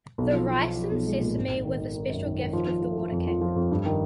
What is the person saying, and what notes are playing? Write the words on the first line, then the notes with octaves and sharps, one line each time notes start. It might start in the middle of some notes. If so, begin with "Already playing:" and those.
The rice and sesame were the special gift of the Water King.
B1
F3
F3
F3
F3
B1
G#3
A#2
G#1
G#1
D#3
D#3
D#3
F#2
D#3
D#3
F3
F3
F3
F3
F2
F3
F3
F2
G2
D#3